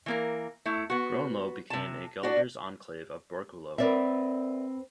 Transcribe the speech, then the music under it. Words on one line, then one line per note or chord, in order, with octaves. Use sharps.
Groenlo became a Guelders enclave of Borculo.
E3 A#3 A#4
A3 E4
B3 F#4
C3 A5
D4 F#4
C4 A#4 B4 D5 E5